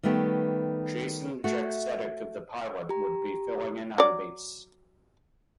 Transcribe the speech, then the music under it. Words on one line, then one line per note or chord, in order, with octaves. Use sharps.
Jason Jaksetic of The Pilot would be filling in on bass.
D#3 G3 A3 B3 G4
A3 F#4
G4 A#5
F#3 D5